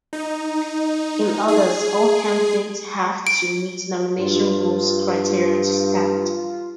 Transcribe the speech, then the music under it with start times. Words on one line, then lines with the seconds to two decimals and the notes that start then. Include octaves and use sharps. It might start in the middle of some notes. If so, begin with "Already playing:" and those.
In others all candidates have to meet nomination rules criteria to stand.
0.13 D#4
1.48 G#4
3.27 D7
4.19 G2 F4